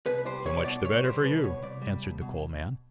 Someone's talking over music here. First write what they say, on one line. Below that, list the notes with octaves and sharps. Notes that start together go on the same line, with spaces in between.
"So much the better for you!" answered the Coal Man.
C2 B4
G3 C5
C2 C#5
B2 D5
C2 C#5
G3 C5
C2 B4
B2 C#5
C2 D5
G3
C2
B2